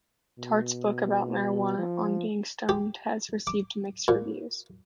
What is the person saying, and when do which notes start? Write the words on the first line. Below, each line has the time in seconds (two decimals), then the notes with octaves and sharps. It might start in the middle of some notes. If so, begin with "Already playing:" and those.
Tart's book about marijuana "On Being Stoned" has received mixed reviews.
0.39 B2
1.78 F3
2.69 G4
3.47 D6
4.08 A#2